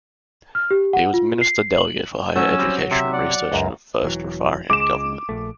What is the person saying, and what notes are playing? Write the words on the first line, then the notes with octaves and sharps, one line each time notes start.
He was Minister Delegate for Higher Education and Research in the first Raffarin government.
F6
G4
F#5
F4
C7
F#7
F#3 A3 C#4 E6
G3 C4
C3 E5
D5 F#5
C#2 F#2 A#5
E1 E3 F#3
C#2 G#3 D6 E7
A#1 A3